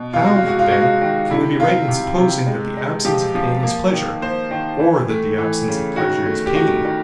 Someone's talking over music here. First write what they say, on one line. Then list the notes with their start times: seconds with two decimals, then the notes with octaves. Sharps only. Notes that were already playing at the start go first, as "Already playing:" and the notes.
How, then, can we be right in supposing that the absence of pain is pleasure, or that the absence of pleasure is pain?
Already playing: B2
0.13 C3 F4
0.25 F#4
0.36 F4
0.43 G#3 F#4
0.59 F4
0.70 G#3 F#4
0.81 F4
1.01 D#3
1.30 C3 E4
1.59 C3 F4
1.88 C3
2.17 C3
2.46 G#3
2.77 G#3
3.05 F3 G4
3.35 F3
3.63 A#3
3.93 D#3
4.21 A#3 C5
4.51 D#3
4.80 E3
5.09 A3
5.38 E3
5.68 C#3
5.96 D#3 F#4
6.25 A3
6.46 G4
6.55 D#3 F#4
6.85 D#3